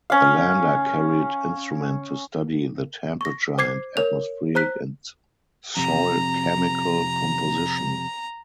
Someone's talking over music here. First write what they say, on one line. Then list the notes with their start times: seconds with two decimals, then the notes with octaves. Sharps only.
The lander carried instruments to study the temperature and atmospheric and soil chemical composition.
0.10 C#4 F5
3.21 C#6 A#6
3.58 C5 D6 G#6 C7
3.97 A#4 C#5 F7
4.55 C5 A#5 F#6 B6
5.77 F2 C3 A#5